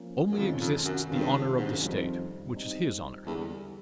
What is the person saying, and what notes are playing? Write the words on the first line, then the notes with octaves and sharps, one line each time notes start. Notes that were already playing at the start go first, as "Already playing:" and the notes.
Only exists the honour of the State, which is his honour.
Already playing: F3 A#3 C#4
F#2
F2 C3 D#3 G#3 C#4 F4
F2
F#2
G2 C3 D#3 G#3 C#4 F4
G#2
G2
F#2
F2 G3 C4 D#4
G3 C4 D#4
E2 D3 G3 B3